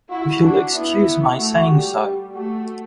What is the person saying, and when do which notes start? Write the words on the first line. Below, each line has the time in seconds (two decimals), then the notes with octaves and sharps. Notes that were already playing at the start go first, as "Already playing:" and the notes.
If you’ll excuse my saying so.
0.10 E4 F#4
0.42 D4
0.74 B3 E4
1.38 A3 F#4
1.70 G3 G4
2.34 A3 F#4